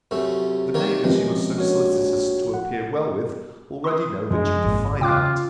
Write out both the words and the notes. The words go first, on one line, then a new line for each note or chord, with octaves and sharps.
The neighbours you are so solicitous to appear well with, already know, that you defy that.
F#2 C3 A3 C#4
D#3 A#3 C#5
F3 G#3 C4 C#4 G4 B4
A#1 F#4 C#5
F#5
C6 D#6
F#2 F3 G#3 D4
G#1 A#2
C#3 F4 G5 D6 F#6